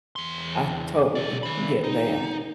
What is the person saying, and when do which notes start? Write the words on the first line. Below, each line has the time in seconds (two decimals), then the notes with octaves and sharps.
I totally get that.
0.16 E2 C6
1.15 B1 D5
1.43 D#3 B5
1.84 D#4